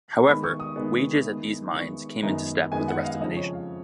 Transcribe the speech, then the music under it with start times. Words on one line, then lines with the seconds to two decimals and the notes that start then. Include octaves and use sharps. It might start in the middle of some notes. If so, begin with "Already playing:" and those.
However, wages at these mines came into step with the rest of the nation.
0.17 C#6
0.27 D#3 G#3 B3 B5
0.43 C#6
0.60 D#6
0.76 D#3 G#3 B3
1.25 D#3 G#3 B3
1.74 D#3 G#3 B3 C#6
2.23 F#2 D#3 G#3 B3 D#4 A#5
2.71 F#2 D#3 G#3 B3 D#4 G#5
2.88 F#5
2.98 D#5
3.04 F5
3.20 F2 C#3 F3 G#3 D#5
3.36 C#5
3.53 F5